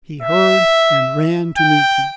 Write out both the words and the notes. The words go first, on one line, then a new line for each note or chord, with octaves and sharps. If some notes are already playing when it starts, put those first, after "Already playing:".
He heard, and ran to meet them.
E5
G5